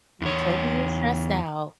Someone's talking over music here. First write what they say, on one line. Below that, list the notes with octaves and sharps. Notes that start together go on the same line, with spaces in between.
you told me you're stressed out,
E2 C#5